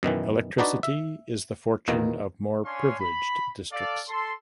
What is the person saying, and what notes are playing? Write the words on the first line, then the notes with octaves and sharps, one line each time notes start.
Electricity is the fortune of more privileged districts.
F#2 B2 D#3 E3
D4 D#4 F#4 B4 D5
E5
E2 B2 D#3 A#3
C#4 D4 C#5 F5 G#5 C6
B5
A4 D5 F5
A4 C6